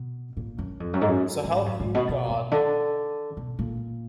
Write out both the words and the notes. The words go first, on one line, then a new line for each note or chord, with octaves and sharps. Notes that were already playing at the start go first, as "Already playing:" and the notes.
So help you God.
Already playing: B2
A#2
F#2
F2
F#2
G#2
F#2
G#2
F#2
G#2
B2
B2
B2
D3
B2
A#2